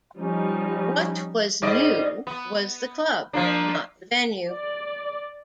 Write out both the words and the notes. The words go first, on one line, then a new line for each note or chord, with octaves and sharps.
What was "new" was the club, not the venue.
F3 G3 C#4 D#4
G#2 D5 D#5
B3
F3 A#3 D4
D5